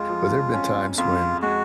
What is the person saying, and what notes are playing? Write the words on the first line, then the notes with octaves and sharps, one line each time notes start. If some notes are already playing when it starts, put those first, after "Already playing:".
but there've been times when
Already playing: F2 G#3 F4
F3
C#4
F2 F4
G#3 F#4